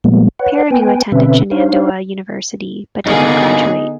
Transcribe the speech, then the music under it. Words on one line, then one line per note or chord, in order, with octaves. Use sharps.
Perrineau attended Shenandoah University, but did not graduate.
A#2 F3 G3 G#3 A#3 B3
B4 C#5 F#5
B3 B4 G5 G#5
B2 D3 C4 C#4 B4 E5
D4 D#4 C5 C#5 F5
G2 D3 A#3 B3 D#4 G#4